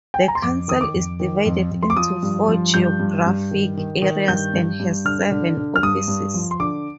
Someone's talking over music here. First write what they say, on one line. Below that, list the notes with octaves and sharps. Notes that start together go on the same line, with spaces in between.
The council is divided into four geographic areas and has seven offices.
G5
G#5
A#5
C6
F2 D6
D#3 D#6
D6
F2
D#3
F2
F2
C6
D6
F3 D#6
G2
F3
G2 G6
G2
G2
D#3
D#3
D#3
G2 G6
G2
G2
D3 F6
D3
D3
F6
G2 D#6
G2
F3
C6
D3 D6